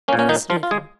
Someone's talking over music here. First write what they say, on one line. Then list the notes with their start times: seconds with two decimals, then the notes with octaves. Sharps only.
Let us leave him.
0.08 A#3 C#4
0.13 A#2
0.19 C#4
0.29 D#3 D#4
0.50 F3 F4
0.63 F4
0.71 G#3 G#4